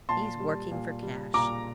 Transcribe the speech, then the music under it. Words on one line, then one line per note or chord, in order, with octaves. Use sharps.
He's working for cash.'
A#2 A5 C6
G3
A#2
G3
A#2 A#5 D6